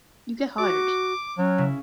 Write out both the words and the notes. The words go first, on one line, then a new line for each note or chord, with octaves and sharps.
You get hired.
F#4 D6
F#3 C#4
C#3 E4